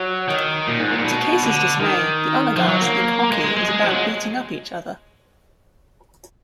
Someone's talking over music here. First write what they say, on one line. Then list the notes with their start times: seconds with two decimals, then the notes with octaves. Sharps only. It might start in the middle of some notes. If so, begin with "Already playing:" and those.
To Casey's dismay, the Honor Guards think hockey is about beating up each other.
Already playing: F#3
0.28 D#3
0.67 A#2
0.79 G#2
0.92 A#2
1.05 B2
1.42 D3
1.80 D#3
2.56 F3
2.68 F#3
2.82 A#3
3.32 G#3
3.44 G#3
3.57 G#3
3.69 G#3
3.82 F3
3.90 F#3
3.95 G#3